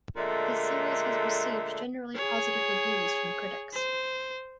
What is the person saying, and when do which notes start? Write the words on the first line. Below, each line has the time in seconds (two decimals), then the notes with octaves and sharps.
The series has received generally positive reviews from critics.
0.17 A#2 D3 G#3 A3
2.15 G#4 C#5
3.73 C5